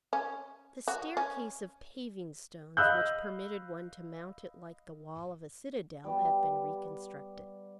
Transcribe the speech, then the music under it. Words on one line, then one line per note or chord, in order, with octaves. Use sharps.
The staircase of paving-stones which permitted one to mount it like the wall of a citadel had been reconstructed.
C#4
F#4
C#4
D#5 F5 B5 E6 F#6 G6
G3 B3